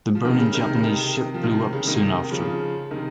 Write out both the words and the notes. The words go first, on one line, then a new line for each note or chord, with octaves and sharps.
The burning Japanese ship blew up soon after.
F3
C3 D#3
C#3
C3 D#3
C#3
C3 D#3
F3
C3 D#3
C#3
C3 D#3
C#3 F3
C3 D#3